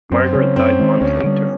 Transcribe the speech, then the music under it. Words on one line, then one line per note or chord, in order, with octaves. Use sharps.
Margaret died a month later.
F#2 C4
C#3 F#3 C#4
F#2 C4
D#3 G#3
D2 C#4
D3 G3